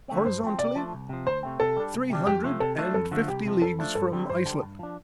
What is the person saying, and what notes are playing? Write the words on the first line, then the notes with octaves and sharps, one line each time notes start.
"Horizontally, three hundred and fifty leagues from Iceland."
D3 A3 C4
G2 C5
F3 C4
C3 D5
F3 A3 D4
C2
C3 F3
D2 C5
C3 A3 C4
C3 A4
G3 D4
C2
C3 G3 D4
F2 G4
C3 F3 A3
C3 A4
F3 A3 D4
F2 A4
D3 F3 A3
C2 G4
C3 F3
F2 A4
F3 A3 D4
G2 A4
D3 G3 C4
G2 C5
D3 G3
G2
F3 D4